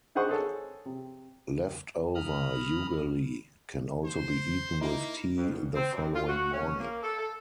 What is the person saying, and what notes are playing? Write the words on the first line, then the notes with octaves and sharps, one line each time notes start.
Left over ugali can also be eaten with tea the following morning.
D4 D#4 G#4 C5 F#5 C#6
G#4 A4 C#5
C3
A#5 B5 D#6 F6
C5
A#3 D#4 E4
F2
E2
C4
F#2
F4
F#4
C#4
A#3
A4
A4